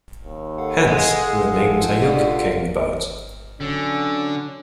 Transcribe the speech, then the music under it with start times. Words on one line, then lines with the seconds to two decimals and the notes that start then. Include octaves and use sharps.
Hence, the name Tayug came about.
0.24 D#2
0.58 A4 F5 F#5
0.87 G#3
1.23 G#4
1.56 F3
2.02 G2 F4
3.60 D3 F#3 C#4